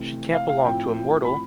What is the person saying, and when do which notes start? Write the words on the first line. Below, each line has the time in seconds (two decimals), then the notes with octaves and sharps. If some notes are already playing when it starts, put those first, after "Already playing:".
She can’t belong to a mortal!
Already playing: C3 E3 A3 C4
0.34 F5
0.49 F5
0.65 A2 F3 C4 G5
1.25 B5